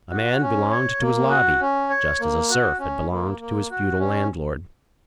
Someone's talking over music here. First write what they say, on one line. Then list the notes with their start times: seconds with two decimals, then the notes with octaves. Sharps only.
A man belonged to his Lobby, just as a serf had belonged to his feudal landlord.
0.10 F#4
0.41 C#4
0.71 C#5
1.01 A#3
1.30 F#4
1.61 C#4
1.90 C#5
2.20 A#3
2.50 F#4
2.80 C#4
3.11 A#3
3.40 A#3
3.71 F#4
4.00 C#4